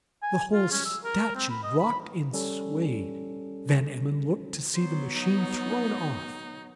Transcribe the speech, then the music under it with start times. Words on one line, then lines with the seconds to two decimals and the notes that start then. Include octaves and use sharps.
The whole statue rocked and swayed; Van Emmon looked to see the machine thrown off.
0.22 G#5
0.53 F4
0.71 C#4
0.85 E6
1.04 A#4
1.35 C4
1.50 B5
1.63 D#5
1.79 B5
2.33 G3 C#4 A4
4.75 F#3 B3 C5
5.15 D#4